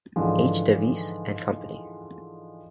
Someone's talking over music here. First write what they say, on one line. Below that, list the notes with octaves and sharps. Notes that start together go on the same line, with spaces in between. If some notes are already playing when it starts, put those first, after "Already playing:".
H. Davies and Company.
G#2 D3 E3 F3